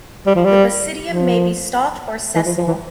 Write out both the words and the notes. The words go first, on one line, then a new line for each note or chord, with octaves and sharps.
The basidium may be stalked or sessile.
G3
F3
G3
F3
E3
F3
F3
E3